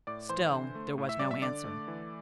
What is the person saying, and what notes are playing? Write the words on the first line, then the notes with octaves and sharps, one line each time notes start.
Still there was no answer.
A2 D5 D6
E3 C5 C6
D3
A3
A2
E5 E6
G3 D5 D6
E5 E6
D3 D5 D6
A3
E3